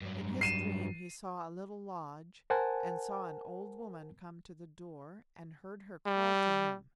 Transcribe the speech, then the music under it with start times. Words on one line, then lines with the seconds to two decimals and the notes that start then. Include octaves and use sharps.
In his dream he saw a little lodge, and saw an old woman come to the door and heard her call to him.
0.02 G2 F#3
0.41 C7 D#7 E7
2.50 A#4 C5 F#5 G#5 A5
6.07 G3